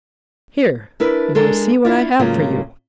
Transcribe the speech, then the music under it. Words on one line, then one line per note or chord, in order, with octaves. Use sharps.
"Here you may see what I have for you."
D4 E4 A#4 B4
G#3 D4 A4 A#4
D4 E4 F4
A2 C#3 F#3 G#3 A#3 F4